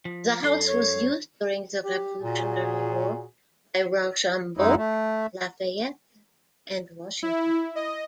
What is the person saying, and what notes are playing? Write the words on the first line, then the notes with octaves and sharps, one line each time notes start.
The house was used during the Revolutionary War by Rochambeau, Lafayette, and Washington.
F3
F#2 A4 C6
C#5
G4
A#2 F#4 G#4 C#5
F#2 G#3 D#4 E4
A3
E4
D#5